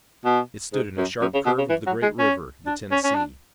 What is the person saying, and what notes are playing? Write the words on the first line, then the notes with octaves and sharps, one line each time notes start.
It stood in a sharp curve of the great river, the Tennessee.
B2
G#2
F#2
F#2
C#3
B2
C#3
E3
F#3
G#3
C#4
D4
C#4
C#4
D4